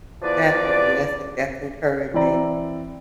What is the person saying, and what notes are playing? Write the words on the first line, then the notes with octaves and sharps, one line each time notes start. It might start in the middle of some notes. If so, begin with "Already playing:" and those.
Definitely. That's en that's encouraging.
E2 F3 B4 D5
E3 C4 E4 D5 A#5